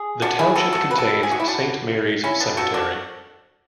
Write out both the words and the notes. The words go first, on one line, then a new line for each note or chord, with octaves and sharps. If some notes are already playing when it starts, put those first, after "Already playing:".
The township contains Saint Marys Cemetery.
Already playing: G#4
D4 F#4
E4 G#4
F#4 A4
F#4 A4
B4
F#4 A4
G#4
F#4
E4
D4 F#4
C#4 E4
B3 D4
F#4 A4
D4 F#4